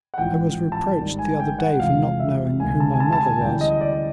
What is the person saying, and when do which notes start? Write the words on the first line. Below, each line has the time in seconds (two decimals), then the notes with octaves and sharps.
"I was reproached the other day for not knowing who my mother was."
0.14 F#5
0.18 A1 G#2 F3 G5
0.72 A5
0.99 G#1 G#2 D#3 G3
1.19 G#5
1.40 G5
1.59 F#5
1.79 E2 C3 F3 G#3 F5
2.20 E5
2.60 D2 C3 D#3 G#3 G#5
2.80 A5
2.94 G#5
3.00 A5
3.13 A5
3.21 G#5
3.41 D2 C#3 E3 G3 G5
3.61 D#5
3.81 D5